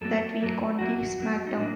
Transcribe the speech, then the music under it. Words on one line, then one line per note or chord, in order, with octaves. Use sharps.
That week, on the SmackDown!
F#2 F#3 A#3 A4
F#2 F#3 A#3
F#2 F#3 A#3 F#4
F#2 F#3 A#3
D#4
A2 F#3 A#3 D4